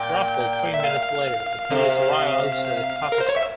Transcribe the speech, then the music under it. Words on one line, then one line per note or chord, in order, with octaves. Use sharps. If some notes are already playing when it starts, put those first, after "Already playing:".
Roughly three minutes later, the police arrive outside the coffee shop.
Already playing: A#2 G5
E5
F5
C3
A#4
C5
C#5
E5